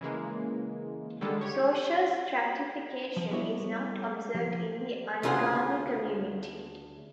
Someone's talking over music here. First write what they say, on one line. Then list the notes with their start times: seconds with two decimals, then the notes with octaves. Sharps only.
Social stratification is not observed in the Angami community.
0.01 C#3 E3 G#3 A#3
1.21 D3 D#3 G3 G#3 A4
1.41 G4 C#5
3.16 F3
3.30 G3 B3 E4 C#5 D#5
4.34 F3 G4
5.23 D2 C#3 F4 G#4 C5 F#5